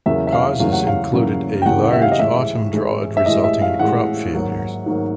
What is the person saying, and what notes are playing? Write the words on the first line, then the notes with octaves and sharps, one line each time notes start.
Causes included a large Autumn drought resulting in crop failures.
E2 C#3 F#3 A#3 E5
E5
F5
E2 C#3 F#3 A#3 F5
F#5
F5
E2 C#3 F#3 A#3
G5
E2 C#3 F#3 A#3 F#5
F#5
E5
F5
D#5
A2 E3 G#3 E5
A2 E3 G#3
E5
A2 E3 G#3 D#5
E5
F5
A2 E3 G#3 F#5
G#2 D#3 F#3 A#3
G#2 D#3 F#3 A#3